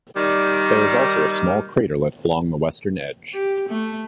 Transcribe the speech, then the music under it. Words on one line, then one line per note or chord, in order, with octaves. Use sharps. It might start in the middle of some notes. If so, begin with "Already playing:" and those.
There is also a small craterlet along the western edge.
D#3 G3
G4
A3